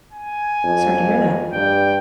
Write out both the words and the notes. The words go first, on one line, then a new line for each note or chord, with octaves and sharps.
Sorry to hear that.
G#5
F2
G2 G5